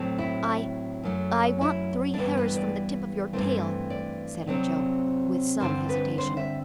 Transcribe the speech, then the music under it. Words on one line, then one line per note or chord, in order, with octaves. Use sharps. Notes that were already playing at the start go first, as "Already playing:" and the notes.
"I--I want three hairs from the tip of your tail," said Ojo, with some hesitation.
Already playing: A2 F#3 C4
E4
F#2 F#3 A3
E4
D4
G2 E3 G3 B3 E4
B4
D5
G2 E3 A3 C4
D5
C3 F#3 C4
G2 D3 G3 C4 C5
B4
C5
E5